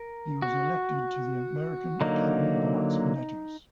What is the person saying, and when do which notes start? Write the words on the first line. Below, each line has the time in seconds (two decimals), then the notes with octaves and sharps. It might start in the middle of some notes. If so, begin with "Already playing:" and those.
He was elected to the American Academy of Arts and Letters.
Already playing: A#4
0.42 F#4
2.01 D3 F#3 A#3 D#4